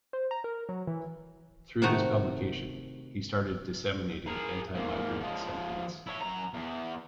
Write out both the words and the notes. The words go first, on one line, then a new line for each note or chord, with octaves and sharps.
Through this publication, he started disseminating anti-migrant sentiments.
C5
A#5
A#4
F#3
E3
C3 D#3 A3 D#4 F#4 A#5
G#4 A#4
G#2 A#3
F3 G#3
E4 C#5
F#2 A#5
E2